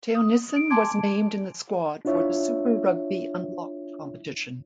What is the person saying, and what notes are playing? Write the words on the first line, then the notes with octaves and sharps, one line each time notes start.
Theunissen was named in the squad for the Super Rugby Unlocked competition.
D#6
D7
G#5 A5 C6 D6 G#6 D7
D4 E4 F4 C#5 E5